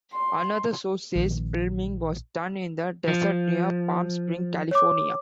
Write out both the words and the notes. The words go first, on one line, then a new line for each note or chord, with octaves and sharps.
Another source says filming was done in the desert near Palm Springs, California.
C6
A#1 D#3 F3
F3
C#5 D6